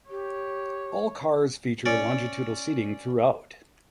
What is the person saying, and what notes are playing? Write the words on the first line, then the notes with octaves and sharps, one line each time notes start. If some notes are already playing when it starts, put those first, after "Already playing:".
All cars feature longitudinal seating throughout.
G4 C#5
C#4 C#5 D5